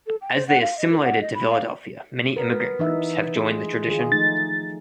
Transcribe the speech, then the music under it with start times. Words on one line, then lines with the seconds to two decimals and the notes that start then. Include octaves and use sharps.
As they assimilated to Philadelphia, many immigrant groups have joined the tradition.
0.06 A4
0.21 G5
0.34 C5
0.47 F#5
0.61 F5
0.77 D#5
0.90 A#4
1.02 F#5
1.21 D#5
1.34 B5
1.50 F5
2.36 B3 A#4
2.79 E3 D#4 E5
3.36 G#3 F4
3.87 D#3 F4 G#4
4.12 F3 A3 D#4 A6